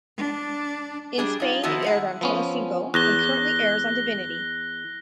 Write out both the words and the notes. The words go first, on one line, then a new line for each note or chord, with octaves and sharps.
In Spain it aired on Telecinco and currently airs on Divinity.
D4
G3 D4 G#4
D#4 F4
D#3 F3 B3 E4 F#4 B4
G2 G#3 F#5
F3 B3 C#4
E2 F#6 A#6 G7